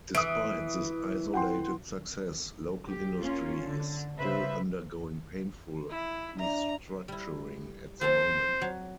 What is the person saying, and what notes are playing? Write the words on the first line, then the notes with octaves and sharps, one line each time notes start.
Despite this isolated success, local industry is still undergoing painful restructuring at the moment.
E3 D#6 D7
F#5 G5 C6
G4
A#3 C#4 F4
D3
C#3 G3 B4 C5 E5
E4
D4 D5 E5 A#5
G3 E4
F3 C4 C5 A5
F#3